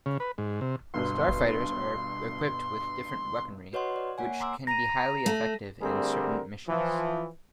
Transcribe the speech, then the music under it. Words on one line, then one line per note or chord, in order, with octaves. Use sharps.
Starfighters are equipped with different weaponry which can be highly effective in certain missions.
C#3
B4
G#2
C3
G1 G2 B2 C6
F#4 B4 C#5 D#5 F#5 C6
D5
A#3 C#5 F#5 G#5
A#5 C6 D6 E6
A#5 A#6 D#7
A3
D3 G3 A3 C4 G#4 A#4
E3 F3